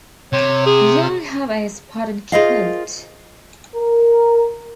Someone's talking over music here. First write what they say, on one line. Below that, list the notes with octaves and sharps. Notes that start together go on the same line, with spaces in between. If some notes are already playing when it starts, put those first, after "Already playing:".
Young have a spotted coat.
C3 C#5
G#4
F4 G#4 A#4 C5 D#5 F5
A#4